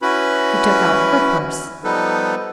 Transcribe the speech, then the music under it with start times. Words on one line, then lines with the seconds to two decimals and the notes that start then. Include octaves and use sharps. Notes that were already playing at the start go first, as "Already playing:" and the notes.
She took out her purse.
0.02 C#4 E4 F#4 B4 B5
1.84 F3 G3 B3 D#4 A4 B4